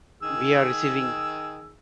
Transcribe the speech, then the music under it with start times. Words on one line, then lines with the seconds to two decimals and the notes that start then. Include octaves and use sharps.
We are receiving.
0.23 D#3 G#4 E6